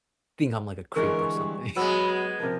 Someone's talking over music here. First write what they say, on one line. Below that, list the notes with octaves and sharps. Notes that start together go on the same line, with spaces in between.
think I'm like a creep or something.
D3 E3 G#3 A#4 C#6
G3
F#3 G#3 B3 B5 E6
C3 F3 A#4